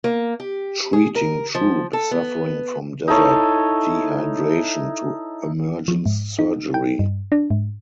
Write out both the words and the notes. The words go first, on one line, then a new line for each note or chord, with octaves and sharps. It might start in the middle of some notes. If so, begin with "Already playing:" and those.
Treating troop suffering from desert dehydration to emergence surgery.
A#3
G4
G#4
A#4
F3
A4
B3
D#4 E4 A4 C#5
F3
G#2
D#4
G5
G2
D4
G#2